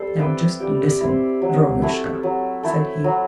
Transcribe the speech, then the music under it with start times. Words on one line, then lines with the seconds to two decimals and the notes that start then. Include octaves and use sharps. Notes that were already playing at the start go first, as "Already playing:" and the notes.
"Now just listen, Dronushka," said he.
Already playing: G3 A4 C5
0.19 C4 E4 G4 B4
0.60 G3 G4
1.01 C4 E4
1.42 F#3
1.82 A3 E4
2.23 F#3
2.63 A3 E4
3.04 F#3